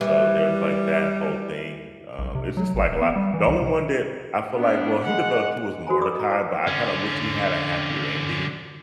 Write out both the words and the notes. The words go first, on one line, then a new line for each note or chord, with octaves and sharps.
so, there was, like, that whole thing, um, it's just like a lot the only one that I feel like well, he developed too as Mordecai, but I kinda wish he had a happier ending
E3 G3
B1
C3
F#3
A1
D#1
B3
G3
E3
C2
C3
B3 D4
G#3 F#5
F#4 A4 C5 G#5 A#5
A4 D5 B5 D6 D#6
D#5 A#5
E4 C5 A5 C#6 D6
D3 C#4